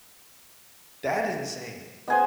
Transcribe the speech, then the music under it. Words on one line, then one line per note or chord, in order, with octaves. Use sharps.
That is insane.
B3 G#4 C5 D#5 G#5